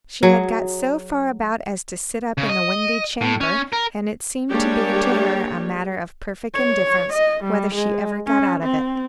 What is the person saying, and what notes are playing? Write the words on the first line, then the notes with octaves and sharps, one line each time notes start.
She had got so far about as to sit up in the windy chamber; and it seemed to be to her a matter of perfect indifference whether she ever got out of it.
F#3 G#4
C#3
D#5
A2
C#4
A#4
G3 G#3 A#3 D4 G4 C#5
C#5
D#5
G3
G#3
C#4
C4